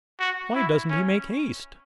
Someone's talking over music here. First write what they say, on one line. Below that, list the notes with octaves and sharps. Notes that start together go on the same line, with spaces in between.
'Why doesn't he make haste!'
F#4
E4
C#4